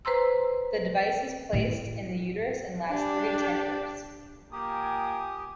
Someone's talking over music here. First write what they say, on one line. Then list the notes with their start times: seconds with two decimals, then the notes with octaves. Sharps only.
The device is placed in the uterus and lasts three to ten years.
0.05 B4 C5 A#5 C6 E6
1.53 A2 E4
2.87 D4 G4
4.53 A#3 F4 G4 G5 G#5 D#6